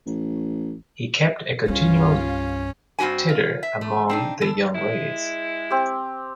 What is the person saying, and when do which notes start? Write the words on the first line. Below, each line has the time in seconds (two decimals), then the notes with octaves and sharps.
He kept a continual titter among the young ladies.
0.06 A1
1.68 C2 G2 C#4 F4
2.99 G2 C4 F#4 G4 G#5
3.29 F4
3.63 E5
3.81 A3
4.09 C4 D4 D#4
4.41 E3 D4 A4
4.75 G#3 E4
5.71 C4 G4